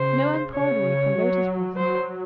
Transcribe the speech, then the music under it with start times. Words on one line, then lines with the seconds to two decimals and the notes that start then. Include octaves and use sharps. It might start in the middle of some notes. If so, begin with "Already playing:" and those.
No embroidery for Lotus Blossom!
Already playing: C#3 C5
0.55 C#3 C#5
1.16 F#3
1.76 F#3 C5